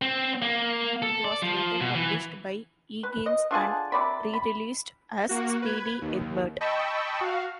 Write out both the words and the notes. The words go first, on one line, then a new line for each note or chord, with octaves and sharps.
It was later published by eGames and re-released as "Speedy Eggbert".
C4
A#3
A4
D5
F3
B2
E3
B4
D#5
D3 F4 G#4 A5
C3 D5 B5
B5
A#3 F#4
B4 G#6
D#2
D#5 G5 A5 B5 C#6 E6
F#4 F5